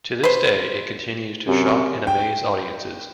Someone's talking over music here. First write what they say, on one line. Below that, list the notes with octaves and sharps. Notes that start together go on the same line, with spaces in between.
To this day it continues to shock and amaze audiences.
B4 C5
F#2 C3
G5